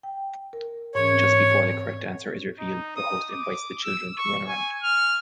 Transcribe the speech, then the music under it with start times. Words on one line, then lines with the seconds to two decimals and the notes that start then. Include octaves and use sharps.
Just before the correct answer is revealed, the host invites the children to Runaround...
0.03 G5
0.53 A#4
0.95 G#2 E3 C#4 C#5
1.12 C4
2.59 D#4
2.96 D#6
3.30 D6
3.84 E6
4.18 C#6
4.48 G#5
4.83 F6